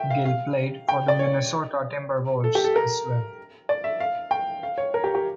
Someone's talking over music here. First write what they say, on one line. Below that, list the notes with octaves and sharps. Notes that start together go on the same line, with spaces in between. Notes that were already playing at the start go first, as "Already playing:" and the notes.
Gill played for the Minnesota Timberwolves as well.
Already playing: E5 G5
F5
F5
G5
D5
C#5
A4
G4
A4
A#4
D5
E5
F5
G5
F5
C#5
A#4
G4
G4